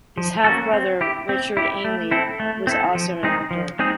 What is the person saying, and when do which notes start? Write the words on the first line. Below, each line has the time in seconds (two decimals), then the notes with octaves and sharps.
His half-brother, Richard Ainley, was also an actor.
0.17 F3
0.44 A#3 C#4 F#4 A4
0.73 C4
1.01 E4 G4
1.29 C4
1.57 E4 G4
1.84 A3
2.11 C4 E4 A4
2.40 A3
2.67 C4 E4 A4
2.95 F3
3.23 G#3 C4 D#4 G#4
3.51 F3
3.79 G#3 C4 D#4 G#4